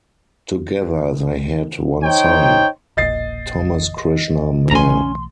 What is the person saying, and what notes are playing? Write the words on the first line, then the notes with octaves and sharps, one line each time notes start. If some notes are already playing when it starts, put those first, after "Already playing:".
Together they had one son, Thomas Krishna Mair.
D#4 C5 C#5 G5
E1 A#1 A#2 D#5 A6 C7
B1 E3 A3 C#4 G#5 A#5 C6